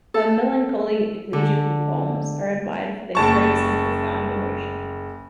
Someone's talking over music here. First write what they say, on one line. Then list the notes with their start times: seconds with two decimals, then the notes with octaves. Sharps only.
Her melancholy, elegiacal poems are admired for their grace and profound emotion.
0.14 A4
1.33 D3
3.15 F#1 A5 C#6